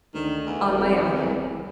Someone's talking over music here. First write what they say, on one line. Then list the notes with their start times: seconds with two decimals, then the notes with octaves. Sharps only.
"On my honor."
0.14 D2 D#3
0.46 E2
0.68 F1
0.99 C2